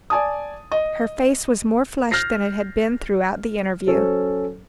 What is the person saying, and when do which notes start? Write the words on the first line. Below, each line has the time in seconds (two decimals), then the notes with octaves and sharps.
Her face was more flushed than it had been throughout the interview.
0.10 D5 G#5 A5 D#6
0.72 D#5
2.11 F6 G6 A6 A#6 C7
3.87 F#3 C#4 A4 C5